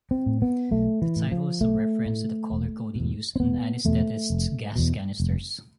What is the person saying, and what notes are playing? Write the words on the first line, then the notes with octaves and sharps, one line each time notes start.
The title is a reference to the colour-coding used on anaesthetists' gas canisters.
C4
A2
B3
B1 A3
E3
A2
F3
B1 A3
A2
E1
E2 B2
C4
E1 B3
E2 B2 A3
F1
E2 B2
F1